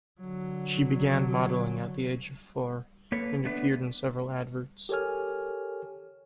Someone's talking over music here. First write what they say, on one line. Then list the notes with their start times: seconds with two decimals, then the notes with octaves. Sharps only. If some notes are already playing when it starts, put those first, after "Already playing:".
She began modelling at the age of four, and appeared in several adverts.
0.21 D3 F#3
3.12 A#3 A4 B4 C#5
3.45 A3 B3 D4 B4
4.89 G4 A4 A#4 C#5 G#5 F6